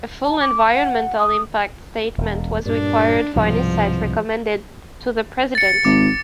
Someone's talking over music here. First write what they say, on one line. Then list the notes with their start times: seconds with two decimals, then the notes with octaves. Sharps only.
A full environmental impact statement was required for any site recommended to the President.
0.25 A5
0.41 D6
0.72 F#5
1.18 D#6
2.18 E1
2.65 G2 A#2 D4
3.36 C2 G#2 B2 F3
5.55 A6 C#7
5.85 G#1 D6